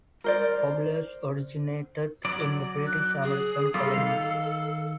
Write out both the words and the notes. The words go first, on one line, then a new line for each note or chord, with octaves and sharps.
Cobblers originated in the British American colonies.
A#4 C5 D5
F#3 D5
F#6
G#4
G3 A#3 F4 A4
D#3 F5